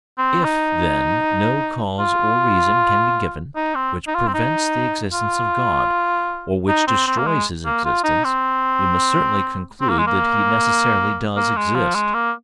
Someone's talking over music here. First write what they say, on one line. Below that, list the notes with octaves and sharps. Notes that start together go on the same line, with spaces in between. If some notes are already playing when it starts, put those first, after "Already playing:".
If, then, no cause or reason can be given, which prevents the existence of God, or which destroys his existence, we must certainly conclude that he necessarily does exist.
C4
D#4
F4
D#4
C4
D#4
F4
C4
D#4
F4
D#4
C4
C4
A#3
G#3
A#3
F4
D#4
C4
C4
A#3
G#3
A#3
A#3
G#3
F3
G#3
A#3